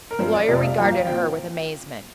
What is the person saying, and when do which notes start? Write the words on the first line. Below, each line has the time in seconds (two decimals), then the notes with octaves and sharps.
The lawyer regarded her with amazement.
0.11 A#4
0.19 G2 F3 C4 C5
0.34 D5
0.48 F1 F2 C3 D5
0.63 F5
0.78 G2 F3 A#3 G5
0.92 F5
1.06 A#2 F3 C4 G5